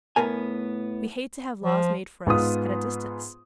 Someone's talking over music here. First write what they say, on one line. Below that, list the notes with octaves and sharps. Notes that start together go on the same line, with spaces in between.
We hate to have laws made for us at a distance.
A2 B3 A#4 G#5
F3
G#2 B3 F4 D#6